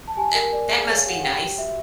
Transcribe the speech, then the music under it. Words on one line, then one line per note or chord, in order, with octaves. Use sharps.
That that must be nice.
A5
G4 G#5
A#4
D5
G#4
C#5
F5
G4 F#5
G4 G5
G4
F#4 E5